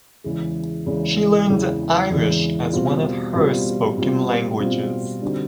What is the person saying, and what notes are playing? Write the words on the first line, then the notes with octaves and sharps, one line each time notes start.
She learned Irish as one of her spoken languages.
E2 C#3 E3 G#3
E2 C#3 E3 G#3
E2 C#3 E3 G#3
E2 C#3 E3 G#3
B2 G3 C4 F4
B2 G3 C4 F4
B2 G3 C4 F4
B2 G3 C4 F4
D3 G3 C4 D#4 F#4